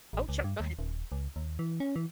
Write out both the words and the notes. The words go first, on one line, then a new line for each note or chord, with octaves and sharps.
Oh sure, go ahead.
A1
C#2
G2
D#2
D#1
C#2
D#2
E3
C#4
E3